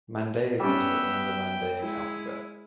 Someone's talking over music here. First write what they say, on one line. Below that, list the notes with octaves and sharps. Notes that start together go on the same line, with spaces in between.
Mandaic is written in the Mandaic alphabet.
G3 B3 C#4 E5 G5
G#3 E4